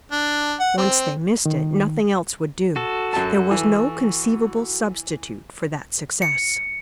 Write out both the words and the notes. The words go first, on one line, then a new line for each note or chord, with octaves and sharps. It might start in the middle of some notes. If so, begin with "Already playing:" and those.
Once they missed it nothing else would do; there was no conceivable substitute for that success.
D4
F#5
C4
D#3
F#4 A4
F#2 A5
E3
C#7